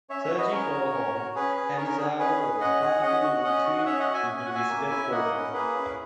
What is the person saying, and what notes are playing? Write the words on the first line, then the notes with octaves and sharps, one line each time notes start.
Searching for a home, Canizaro was particularly intrigued when he visited Portland.
C#4 C#5 E5
C#5 E5
F#4
B4 D#5
C#4 A#4 C#5
F#4
C#4
F#4
C#4 G#4 B4
G#4
C#4 A#4 C#5
A#4
G#4
C#4 G#4 B4
G#4
C#4 D#5 F#5
G#4
C#4 D#5 F#5
F#4
C#4 D#5 F#5
F#4
F#5
C#4 C#5 E5
D#5 F#5
F#4
E5 G#5
C#4
G#5
F#4 F#5
E5 G#5
A#3
C#4 E4
E5
A#3 D#5 F#5
C#4 E4
A#3 G#4 B4
C#4 E4